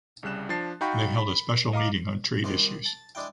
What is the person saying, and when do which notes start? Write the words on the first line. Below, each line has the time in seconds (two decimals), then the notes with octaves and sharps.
They held a special meeting on trade issues.
0.23 C2 C#3 G3 F#6 E7
0.49 F3 D4 A5 A6 C7
0.81 D#4 F#4 F5 G5 B5 C#6
1.18 B5
1.73 D#5 F5 A#5 D6
2.44 C2 D#3 G#3 C5
2.85 A5
3.15 G#3 D4 E4 G5